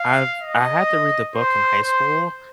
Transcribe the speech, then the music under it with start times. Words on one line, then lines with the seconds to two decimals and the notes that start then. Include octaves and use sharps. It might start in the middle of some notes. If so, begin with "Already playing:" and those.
I've I had to read the book in high school,
Already playing: F5
0.41 D#5
1.35 C5
1.82 C5